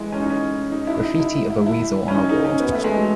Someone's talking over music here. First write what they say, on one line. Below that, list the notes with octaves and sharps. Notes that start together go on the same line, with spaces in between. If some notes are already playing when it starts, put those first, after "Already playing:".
Graffiti of a weasel on a wall.
Already playing: E3 G#3
C#4
D#4
C#4
D#4
E4
D#4
E4
E4
E4
C#4
D#4
D#4
C#4
B3
A3
G#3
F#3